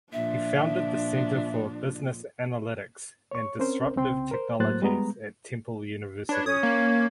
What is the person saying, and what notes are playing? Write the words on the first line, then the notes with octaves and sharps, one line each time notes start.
He founded the Center for Business Analytics and Disruptive Technologies at Temple University.
A#2 F3 D4 E5
C#5 C#6
C4 C#4 A#4 C5
C2 C#3 C4 G5 C6
A#4 C5
A2 F#3 A#3 C5 F#6 A6
G3 G#3 B3 A#5
D4 B4 C#5
C#4 D#6 G#6
A#3